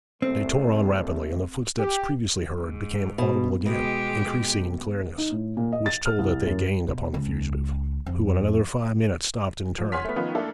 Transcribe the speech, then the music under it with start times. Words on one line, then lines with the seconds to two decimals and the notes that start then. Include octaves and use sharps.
They tore on rapidly, and the footsteps previously heard became audible again, increasing in clearness, which told that they gained upon the fugitive, who in another five minutes stopped and turned.
0.22 C2 A3 C4
1.80 G4
2.61 G#2
3.18 B2
3.66 B2 G#3 G4
5.18 D#4
5.32 A2
5.57 A#2
5.72 D#5
5.86 A6
6.06 F6
6.19 C2
6.47 F#2
6.88 B2
7.14 C#2
8.06 F2
9.78 F3
9.92 C#5 F#5 G#5 C6 F6 B6
10.05 A3 B3
10.16 D#3 F3 B3 C#4 D#4 F4
10.35 A3 A#3 D4 E4 A4